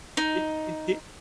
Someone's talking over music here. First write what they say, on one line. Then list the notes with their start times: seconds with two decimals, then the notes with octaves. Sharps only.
Did did di
0.17 D#4